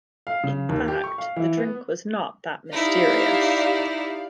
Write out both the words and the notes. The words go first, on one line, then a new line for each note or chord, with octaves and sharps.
In fact the drink was not that mysterious.
F5
C#3
D#2
G4
C#6
F5
E3
B3
D#4 E4 G4 D5 F5